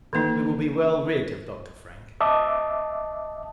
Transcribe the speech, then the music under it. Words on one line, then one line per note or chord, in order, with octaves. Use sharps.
We will be well rid of Dr. Frank.
D#3 E3 A#3 D#4
D#5 E5 A5 D6 D#6